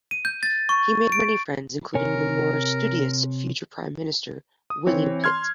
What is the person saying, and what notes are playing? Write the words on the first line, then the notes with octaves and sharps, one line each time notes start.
He made many friends including the more studious future Prime Minister William Pitt.
D#7
G6
A6
C#6
D7
C3 A#4 C#5 G#5
D#6
E3 C4 C#5
C6 F6 G#6